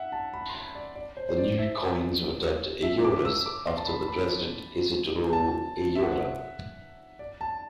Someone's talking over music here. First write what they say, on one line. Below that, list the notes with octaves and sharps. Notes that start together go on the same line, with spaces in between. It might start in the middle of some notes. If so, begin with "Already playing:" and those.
The new coins were dubbed "Ayoras" after the president, Isidro Ayora.
Already playing: E5 F#5
A5
B5
C6
B5
D5
D5
C5
C5
D5
E5
E5
D6
E6
D6
C6
A5
B5
B5
A5
E5
F#5
E5
D5
A5